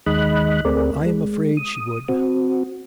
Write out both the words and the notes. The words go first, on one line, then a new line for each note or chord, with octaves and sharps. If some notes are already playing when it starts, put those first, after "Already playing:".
'I'm afraid she would.
D#2 D#3 G#3 D#5 B5 F#6
D2 A3 C4 G#4 A#4 D5
G#3
D#6
C4 F#4